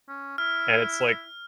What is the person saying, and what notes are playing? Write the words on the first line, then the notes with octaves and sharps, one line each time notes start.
And it's like,
C#4
E4 F6